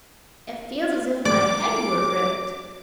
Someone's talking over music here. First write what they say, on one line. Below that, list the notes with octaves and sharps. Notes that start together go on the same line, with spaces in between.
"It feels as if my head were ripped."
D5 D6